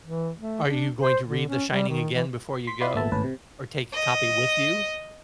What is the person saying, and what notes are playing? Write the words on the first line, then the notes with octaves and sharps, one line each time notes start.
are you going to read The Shining again before you go, or take a copy with you?
E3
A3
D4
C5
D3
C#4
G3
D#3
E3
C6 B6
E4 F4 D5 B5 C6
G#1 A#2 A3 B3 E5 A5
G#1 D#2 A2 C#4 B4 A5
C3
D#5